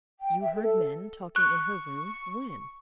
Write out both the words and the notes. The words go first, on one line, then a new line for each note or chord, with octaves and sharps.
"You heard men talking in her room--when?"
G5
E5
A4
C#6 F#6